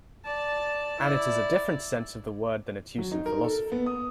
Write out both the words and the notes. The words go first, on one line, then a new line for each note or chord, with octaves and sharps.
And it is a different sense of the word than its use in philosophy.
D5 A5
E4 D5
F#3
D#4
A#4
A4
B3
D#6